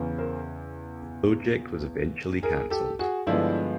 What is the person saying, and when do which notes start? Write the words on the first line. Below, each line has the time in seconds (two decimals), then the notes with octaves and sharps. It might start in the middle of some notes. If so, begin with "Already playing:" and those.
The project was eventually cancelled.
Already playing: E2 C#3 E3
0.18 A#4 C5
2.43 G#4 A#4
2.70 G4 A4
2.99 F#4 G#4
3.27 G2 D3 F3 G#3 B3 D4 E4